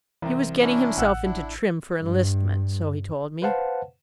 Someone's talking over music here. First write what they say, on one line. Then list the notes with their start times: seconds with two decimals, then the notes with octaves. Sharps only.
He was getting himself into trim for enlistment, so he told me.
0.22 C2 E3 C4
0.62 C#4 D4 E4
0.98 A1 F#5 E6 F#6
1.24 D4 E4
2.02 G2
3.42 B4 C5 F5 F#5 A5